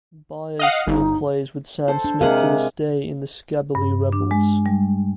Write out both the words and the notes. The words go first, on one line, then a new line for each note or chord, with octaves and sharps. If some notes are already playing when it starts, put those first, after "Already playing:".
Byers still plays with Sam Smith to this day in The Skabilly Rebels.
D#5 F5 F#5
G1 D#4
A4 C5
D4
C3 G#3 A#4 F5 F#5
G2
D4
G#3
G3